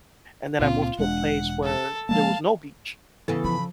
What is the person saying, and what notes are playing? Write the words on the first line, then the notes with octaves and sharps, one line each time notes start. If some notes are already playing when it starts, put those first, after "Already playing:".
and then I moved to a place where there was no beach,
C#2 A#2 C4 F4
E1 G#3 D4 F#5
A4
F3 G#3 A#3 F5 A5
C#3 E3 B3 A4
F3 B5